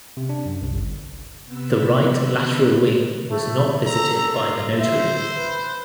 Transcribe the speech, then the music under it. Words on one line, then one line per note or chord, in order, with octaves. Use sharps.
The right lateral wing was not visited by the notary.
C3
D4
F#2
C2
G1
C3 B3 B4 E6
A3
A4 A#5
F4
C5 E5
B4